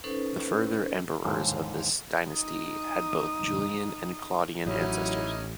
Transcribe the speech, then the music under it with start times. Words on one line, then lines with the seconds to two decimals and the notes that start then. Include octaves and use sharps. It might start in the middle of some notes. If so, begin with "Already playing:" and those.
The further emperors of this dynasty had both Julian and Claudian ancestors.
0.04 C#4 D#4 A4 B4 C5
1.24 D#2 G#2 D3 E3 F3
2.32 D#4 D#6
4.66 A1 F#3 C#4 D#4 E4 D#5